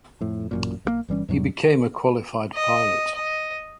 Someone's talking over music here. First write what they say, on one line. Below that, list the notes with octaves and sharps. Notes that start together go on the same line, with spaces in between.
He became a qualified pilot.
F2 A2
A1 F#2 A#2
B1 F3 A#3
G1 E3 G3 C#4
E2 G#2 F#3 G3
D#5
D#5